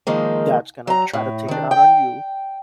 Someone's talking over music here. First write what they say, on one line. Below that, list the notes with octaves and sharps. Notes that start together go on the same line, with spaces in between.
that's gonna try to take it out on you
D#3 F3 G#3 A#3
F#3 A#5
A2
D#3 D4
G5